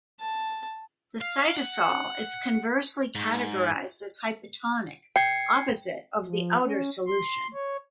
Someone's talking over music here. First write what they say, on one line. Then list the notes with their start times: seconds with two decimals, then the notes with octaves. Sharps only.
The cytosol is conversely categorized as hypotonic, opposite of the outer solution.
0.20 A5
1.21 F5
1.57 F#5
3.15 G#2
5.16 G5 G#6 C7 C#7
6.25 F3
6.63 C#4
7.07 C6
7.53 C#5